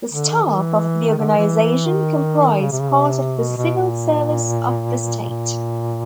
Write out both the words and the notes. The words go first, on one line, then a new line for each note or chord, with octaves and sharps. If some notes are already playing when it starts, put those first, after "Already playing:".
The staff of the organisation comprise part of the Civil Service of the State.
D3
D#3
D#3
E3
D#3
D3
D#3
E3
D#3
C#3
C3
C#3
C3
B2
B2
A#2
A#2